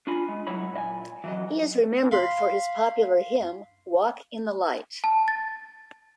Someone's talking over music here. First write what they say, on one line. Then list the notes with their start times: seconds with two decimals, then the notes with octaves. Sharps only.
He is remembered for his popular hymn: "Walk in the light".
0.07 D4 F4 G#5 B5
0.29 G#3
0.47 C2 F#3 E4 C#5 B5
0.73 A#2 D#5 G#5
1.24 E3 F#3 D#5
2.11 F5 B5 C6
5.04 A5
5.28 A6